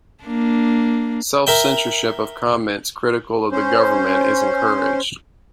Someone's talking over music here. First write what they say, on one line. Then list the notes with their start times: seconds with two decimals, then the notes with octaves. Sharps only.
Self-censorship of comments critical of the government is encouraged.
0.24 A#3 D4
1.47 A#4 E5 G5
3.52 C#4 C5